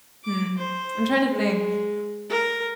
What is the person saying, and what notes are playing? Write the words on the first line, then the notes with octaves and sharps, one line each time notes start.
hmm. I'm trying to think.
D6
C5
G#3
A#4